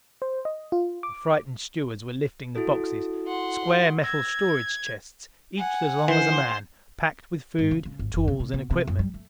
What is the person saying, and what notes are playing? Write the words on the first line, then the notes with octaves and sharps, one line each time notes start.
The frightened stewards were lifting the boxes, square metal storage chests each as long as a man, packed with food, tools, and equipment.
C5
D#5
F4
D6
E4 F#4 A4
F#5 C6
E6 G#6 A#6
F#5 G#5
E3 C5 C6
G#2
C#3
C#3
G#1
F#1
C3
C3
B2
C3
F#2
G3
A3